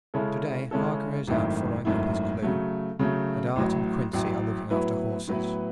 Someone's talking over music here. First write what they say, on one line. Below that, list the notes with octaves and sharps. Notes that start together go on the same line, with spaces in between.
To-day Harker is out following up his clue, and Art and Quincey are looking after horses.
C#3 G#3 C#4 E4 A4
C#3 G#3 C#4 E4 A4
G#1 F#2 D#3 A3 E4
G#1 F#2 D#3 A3 E4
C#3 F#3 A3
C#3 F#3 A3
A1 A2 F#3
A1 A2 F#3
A2 F#3 B3 E4 B4
A2 F#3 B3 E4 B4